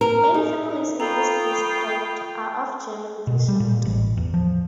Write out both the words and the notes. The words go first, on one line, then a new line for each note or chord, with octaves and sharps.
Many families in this district are of German descent.
A#4
D#4
F4 A4 G5 A#5 B5 C#6 D#6
B2
G3
A#2
A1
E2
F3